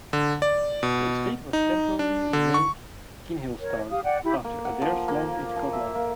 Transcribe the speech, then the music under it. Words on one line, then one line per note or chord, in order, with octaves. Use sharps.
The estate was temporarily renamed "Kinhilstown" after Adair's lands in Scotland.
D3
D5
B2
D#4
D4
D3
C#6
A#4 C#5
G4 F5 D#6
D5 F#5 G5
E4 G4 B5
A#3
F#5
F3
A#3
F3
E5
A#3